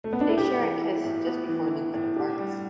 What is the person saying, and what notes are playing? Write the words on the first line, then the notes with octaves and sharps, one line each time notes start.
They share a kiss just before Luca departs.
A3
B3
D4
E4
B3 G4
E3
E4
A2
B3
E3
E4
A2
D4 G4
G3